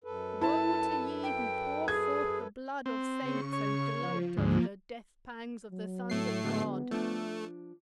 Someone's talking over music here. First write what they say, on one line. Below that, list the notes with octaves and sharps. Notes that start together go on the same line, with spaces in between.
Woe to ye who pour forth the blood of saints, and gloat over the death-pangs of the sons of God!
F#2 A4 B4
E4 A5
G5
G#4 G#6
C4
C#3 C#6
C#5
F3
D2 G#2 F3 A#3
F#3
A2 A3 C7
D3 F#3 G#3 B3
F3 A3 D4